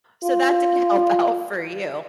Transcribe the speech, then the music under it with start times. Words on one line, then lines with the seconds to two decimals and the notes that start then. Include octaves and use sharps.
so that did help out for you.
0.24 F4